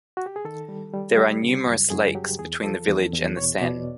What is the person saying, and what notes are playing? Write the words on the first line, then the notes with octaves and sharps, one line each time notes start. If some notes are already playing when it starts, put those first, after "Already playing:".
There are numerous lakes between the village and the Seine.
F#4
G4
G#4
D#3 A4
G3
G3
G3
C#3
F#2
F#2 G#4
F#3 G4
E2 G#4
F3 A4
E2
E2
B2 C#5
B2 D5